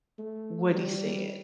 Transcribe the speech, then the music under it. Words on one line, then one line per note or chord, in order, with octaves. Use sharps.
what he said,
A3
G3